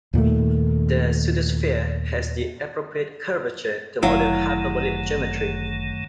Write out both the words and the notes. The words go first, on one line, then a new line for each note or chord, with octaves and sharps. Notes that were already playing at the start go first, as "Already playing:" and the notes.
The pseudosphere has the appropriate curvature to model hyperbolic geometry.
D#2 A#2 D#3 A3
G1 F#2 D#3 F#3 A3 E4 F5